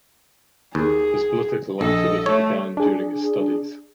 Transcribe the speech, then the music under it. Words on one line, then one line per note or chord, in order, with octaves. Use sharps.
His political activity began during his studies.
D#2 G#4
A#1 A4 D#5
A3 C#5
D4 G#4